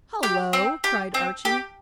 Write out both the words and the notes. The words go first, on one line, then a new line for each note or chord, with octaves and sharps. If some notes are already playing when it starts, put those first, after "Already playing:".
"Hullo!" cried Archy.
G4
C4
G4
C4
G4